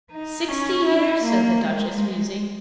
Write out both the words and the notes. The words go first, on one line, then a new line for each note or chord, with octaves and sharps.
"Sixty years," said the Duchess, musing.
D#4
C#4
E4
A#3
G#3